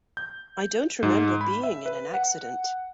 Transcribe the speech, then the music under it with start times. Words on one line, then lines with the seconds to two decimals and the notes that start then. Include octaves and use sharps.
I don't remember being in an accident.
0.17 G6
1.03 G#2
1.41 B5
1.63 E5
1.86 B4
2.14 F#5